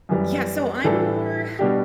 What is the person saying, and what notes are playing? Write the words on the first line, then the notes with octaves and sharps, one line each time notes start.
Yeah, so I'm more
F#2 E3 G3
A2 E3 G3 D4 A4
B2 G3 D4 G4